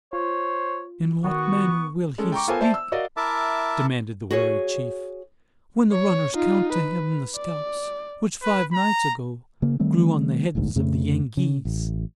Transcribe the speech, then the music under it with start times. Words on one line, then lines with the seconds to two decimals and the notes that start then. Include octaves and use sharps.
"In what manner will he speak," demanded the wary chief, "when the runners count to him the scalps which five nights ago grew on the heads of the Yengeese?"
0.13 F4 C5 C#5
1.24 D#3 B3 F#4 C#6
2.18 G#3 C#4 A4
2.32 G5 A#5 C#6 D6
2.47 B3 F4 A4 A#4 C5 G#5
2.61 C5 D5 E5 A5
2.74 E6
2.92 F#4 A#4 D5 D#5 F5
3.17 E4 A#4 E5 A5 D6
4.31 F#4 G#4 C#5
5.92 C#5
6.35 D#4 F4
6.73 B4
7.35 D5
8.43 B4
8.74 A#5
9.62 C#3 A#3
9.80 D#3 G3 A3 C4
10.55 E1 A1 D2 G#2
10.76 F2 C#3 A3
11.37 C#3
11.65 A1